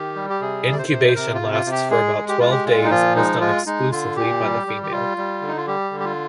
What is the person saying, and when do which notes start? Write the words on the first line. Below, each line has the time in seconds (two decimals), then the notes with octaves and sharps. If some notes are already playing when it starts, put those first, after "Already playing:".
Incubation lasts for about twelve days and is done exclusively by the female.
Already playing: D#3 G4
0.16 G3
0.30 G4
0.41 C3 G#4
0.66 C3
0.72 D5
0.78 C5
0.91 C3
1.08 C5
1.15 C3 A#4
1.34 F4
1.41 C3
1.53 F4
1.66 C3
1.72 G4
1.90 G#3 G#4
2.16 G#3
2.29 G4
2.40 G#3 F4
2.51 G4
2.66 A#2 F4
2.84 D#4
2.91 F3 F4
3.16 G#3 D#4
3.41 G#3 F4
3.66 G#3 D#4
3.92 D3 F4
4.16 A#2 G4
4.42 G3
4.67 G3
4.83 G4
4.91 G3 F4
5.17 G3
5.42 D3
5.48 D#4
5.57 F4
5.67 G3 G4
5.91 D3
6.00 G4
6.05 F4